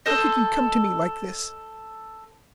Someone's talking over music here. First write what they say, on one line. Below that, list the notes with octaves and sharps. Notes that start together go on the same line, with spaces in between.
How could you come to me like this!
A4 C5 D#5